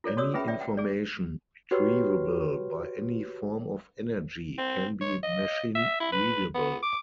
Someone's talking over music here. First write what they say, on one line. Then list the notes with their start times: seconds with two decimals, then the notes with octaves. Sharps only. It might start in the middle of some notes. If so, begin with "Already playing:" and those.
Any information retrievable by any form of energy can be machine-readable.
0.04 F4 A4 C#5 D5
0.17 F#4 A4 C#5 D5 D#6 E6
0.34 C#4 G#4 B4 E5 G5 B5
0.48 D5 E5 G5
0.61 F#5 G5
0.77 G#4 D5
1.71 F#4 G4 B4 C#5
4.58 C4
5.01 C#5
5.23 D#5
5.75 E5
6.00 E4
6.12 B4
6.55 B3
6.83 D6